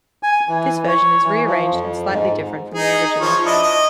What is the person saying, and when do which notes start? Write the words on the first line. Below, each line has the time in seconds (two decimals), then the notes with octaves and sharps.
This version is rearranged and slightly different from the original.
0.23 G#5
0.49 E3
0.87 C#5
1.24 E3
1.46 F3
1.71 F2
2.11 G#2
2.74 D#4 G#4
3.04 D#4
3.20 F3 C#5
3.45 D4 E4 D#5
3.62 D#5